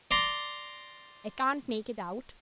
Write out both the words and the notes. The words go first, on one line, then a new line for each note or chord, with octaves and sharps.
I can't make it out.
D5 A#5 C6